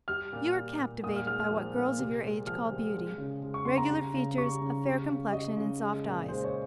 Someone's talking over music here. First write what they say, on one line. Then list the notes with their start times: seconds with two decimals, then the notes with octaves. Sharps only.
You are captivated by what girls of your age call beauty, regular features, a fair complexion and soft eyes.
0.08 G3 F6
0.33 A#2
0.56 G3
0.80 A#2
1.03 A#2 D#6
1.16 F6
1.27 G#3 F6
1.40 F6
1.51 F3
1.75 A#2
1.99 C3
2.23 G#3
2.46 F3 F6
2.71 C3
2.94 G#3
3.18 C#3
3.42 G#3
3.54 C#6
3.65 C#3 C6
3.78 A#5
3.90 G3
4.14 C#3
4.37 G3 C#6
4.61 C#3
4.85 G3
5.09 C#3
5.32 G3 D#5
5.57 C#3
5.81 G#3
6.05 A#2
6.28 G#3 C5
6.44 C#5